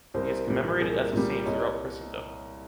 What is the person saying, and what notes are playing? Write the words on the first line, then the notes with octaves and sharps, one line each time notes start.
He is commemorated as a saint throughout Christendom.
C2 A#4 C5
A#2 G3
C2 G#4 A#4
A#2 G3
C2 C#5 D#5